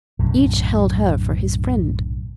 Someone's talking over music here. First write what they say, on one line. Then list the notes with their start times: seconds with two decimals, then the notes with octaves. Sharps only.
Each held her for his friend.
0.19 B1 F#2 A2 D3